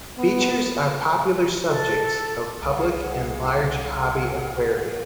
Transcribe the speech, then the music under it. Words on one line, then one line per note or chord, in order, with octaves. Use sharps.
Bichirs are popular subjects of public and large hobby aquaria.
B3
A4
C2 G#4 F5 F#5